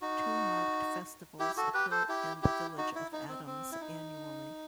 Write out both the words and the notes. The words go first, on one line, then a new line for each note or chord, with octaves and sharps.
Two marked festivals occur in the village of Adams annually.
D#4 F#4
E4 G4
F#4 A4
G4 B4
A4 C5
E4 G4
E4 G4
D#4 F#4
E4
D#4
C4
C4
E4
D#4